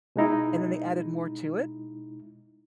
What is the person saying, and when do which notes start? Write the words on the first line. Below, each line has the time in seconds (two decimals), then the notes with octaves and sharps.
and then they added more to it.
0.16 B2 G#3 D#4 E4